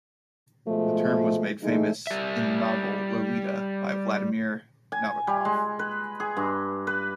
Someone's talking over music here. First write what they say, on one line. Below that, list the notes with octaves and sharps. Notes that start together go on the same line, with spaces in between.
The term was made famous in the novel "Lolita" by Vladimir Nabokov.
B2 F3 G#3 A3
E3 G#3 A3 D#4
G3 E5
G#5
G3
G#3
B4
G#4
G2
B4